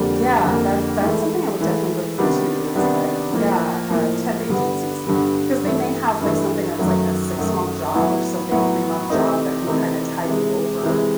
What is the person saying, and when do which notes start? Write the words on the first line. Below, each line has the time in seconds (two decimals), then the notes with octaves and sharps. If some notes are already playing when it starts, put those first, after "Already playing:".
yeah, that's that's something I would definitely look into is like, yeah, uh, temp agencies, because they may have like something that's like a six-month job or something three-month job that can kinda tide you over
Already playing: F2 D3 G3 A#3
0.44 F2 D3 G3 A#3
1.02 G#2 E3 A3
1.60 G#2 E3 A3
2.18 C3 D#3 G3 B3 D4
2.75 C3 D#3 G3 B3 D4
3.33 A2 F3 A#3
3.91 A2 F3 A#3
4.49 G2 D3 G3 B3
5.06 G2 D3 G3 B3
5.64 G2 E3 A3
6.22 G2 E3 A3
6.79 F#2 D#3 F#3 A3
7.37 F#2 D#3 F#3 A3
7.94 A2 F#3 B3 E4
8.52 A2 F#3 B3 E4
9.10 C3 E3 A3 C4 D#4
9.67 C3 E3 A3 C4 D#4
10.25 C3 E3 G#3
10.83 C3 E3 G#3